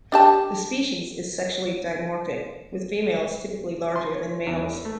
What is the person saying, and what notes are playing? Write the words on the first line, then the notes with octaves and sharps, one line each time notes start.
The species is sexually dimorphic, with females typically larger than males.
D4 G4 A5
C6
C#5
E2
A3